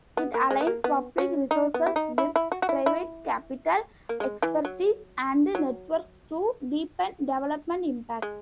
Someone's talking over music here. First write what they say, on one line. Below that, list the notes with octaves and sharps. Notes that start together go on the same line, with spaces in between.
It aligns public resources with private capital, expertise and networks to deepen development impact.
B3
A#3
G#3
B3
A#3
B3
C#4
D#4
B3
E4
D#4
E4
E4
F#4
F#4
E4
E4
A#3
G#3
E3
F#3
F#3
G#3